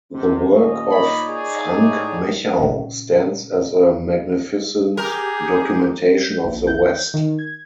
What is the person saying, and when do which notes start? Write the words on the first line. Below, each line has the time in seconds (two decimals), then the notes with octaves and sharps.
The work of Frank Mechau stands as a magnificent documentation of the West.
0.12 G1 G#2 C3
0.50 D#2 A#2 C#4 D#5
0.91 D#4 C#5 D5 B5
1.29 G#4
1.76 A2
2.59 A#2 C#3
4.97 G4 G#4 A#4 G6
6.24 G6
6.45 A#1
6.67 G6
7.14 D#3
7.39 G#6